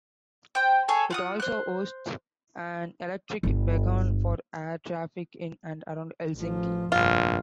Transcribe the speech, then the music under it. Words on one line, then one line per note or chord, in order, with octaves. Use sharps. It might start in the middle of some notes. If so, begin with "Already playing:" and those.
It also hosts an electric beacon for air traffic in and around Helsinki.
C5 G5
G#4 A4 C#5 G#5
F4 F#5 D#6
C5 F#6
G1 D4
A1 F3
F1 A#1 G2 F4